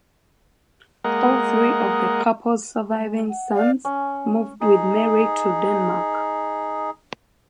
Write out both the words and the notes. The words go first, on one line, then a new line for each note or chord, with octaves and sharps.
All three of the couple's surviving sons moved with Mary to Denmark.
G#3 A#3 A#4 D#5 F#5
G#3
F#5
D5 F5
C#4
D#4 G#4